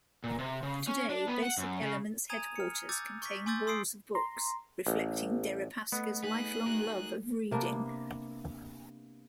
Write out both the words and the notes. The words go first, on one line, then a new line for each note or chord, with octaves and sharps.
Today, Basic Element's headquarters contain walls of books, reflecting Deripaska's lifelong love of reading.
A#2
C3
C#3
C#4
D4
B3
F#5
F#2
C#3
G#5 A#5 D#6 G#6 D#7 F7
F6 C#7
D6 E6 G6 A6
C#6 D6 B6
G#5 C6 D6 E6 G6 A6
C6 D#6 E6 C7 D7
A#5 C6
A1
A3 B3
D#4 G#4 B4 F#6
D#4 F#4 A#4
C3 A#3 B3 D4